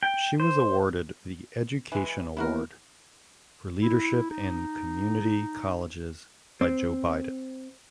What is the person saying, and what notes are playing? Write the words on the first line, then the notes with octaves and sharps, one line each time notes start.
She was awarded the Education Award for Leadership in Community Colleges by Joe Biden.
G5
C5
E3 G#3
E3 A#3 B3 E4 F#4 A#4
E4
D#4
C4